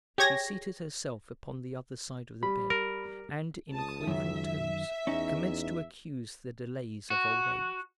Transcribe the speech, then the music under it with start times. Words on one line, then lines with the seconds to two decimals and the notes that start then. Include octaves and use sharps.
She seated herself upon the other side of the bed and in quavering tones commenced to accuse the delays of old age.
0.18 G4 G#4 C#5 G#6 A#6
2.43 G3 B5
2.70 A#4
3.72 C#2 A5 D#6
4.07 F#2 D#3 E5
5.07 E2 C#4 D#4
7.10 F#4